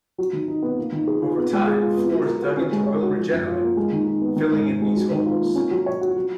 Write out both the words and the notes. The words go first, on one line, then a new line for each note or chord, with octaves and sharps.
Over time, floors dug into will regenerate, filling in these holes.
F#3
D#3
D#4
B3
A#3
D#3
G#4
F4
B3
G#3
G#4
F4
B3
F#3
A#4
F#4
C#4
G#3
C#5
F#4
F3
F#2
F4
A#3
G#3
D#3
D#4
B3
D#3
G#2
C#4
G#3
F#3
D#3
F4
A#3
C#4
F#3
C#5
F#4
F#3